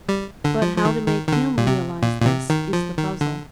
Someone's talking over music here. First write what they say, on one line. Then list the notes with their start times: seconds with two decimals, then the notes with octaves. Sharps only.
But how to make him realise this, is the puzzle.
0.09 G3
0.44 D3
0.62 F3
0.77 F3
0.85 D#3
1.08 D#3
1.27 D#3
1.32 D3
1.58 A#2
1.67 C3
2.03 A#2
2.22 A#2
2.26 C3
2.50 D#3
2.73 F3
2.97 D#3
3.21 D3